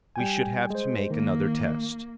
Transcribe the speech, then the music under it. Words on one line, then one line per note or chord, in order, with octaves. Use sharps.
We should have to make another test.
G3 G5 G#5
G#3 C5
D#3 A#3